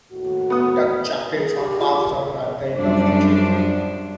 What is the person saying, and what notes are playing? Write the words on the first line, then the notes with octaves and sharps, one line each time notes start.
Duck Jackets are passed down at the end of each year.
D#2 A2 F#4
B3 D#6
G#4
G4
F4
D6
F#2 F3 G3 D4